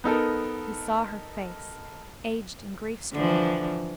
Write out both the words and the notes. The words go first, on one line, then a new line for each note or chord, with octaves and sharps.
He saw her face, aged and grief-stricken.
B3 D#4 A4 A#4
D3 E3 F3